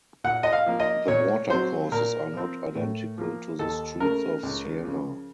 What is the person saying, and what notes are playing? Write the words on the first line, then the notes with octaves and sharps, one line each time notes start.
The watercourses are not identical to the streets of Siena.
A#2 F#5
D#5
F5
F3 A#3
D#5
A#2 C#5
F#3 C4 C5
A#2 A#4
F3 C4
A2
F3 A#3
D#2 A4
C#3 A3 A#4
C#2
C#3 F3